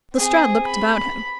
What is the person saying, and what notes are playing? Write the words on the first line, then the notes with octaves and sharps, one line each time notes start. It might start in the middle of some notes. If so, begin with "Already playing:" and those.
Lestrade looked about him.
C4 G#4
B5